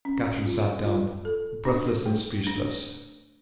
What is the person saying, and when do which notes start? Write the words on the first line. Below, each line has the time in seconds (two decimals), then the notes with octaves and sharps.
Catherine sat down, breathless and speechless.
0.05 C#4
0.45 F4
0.85 F4
1.25 A4
1.65 D4
2.06 A3
2.47 D4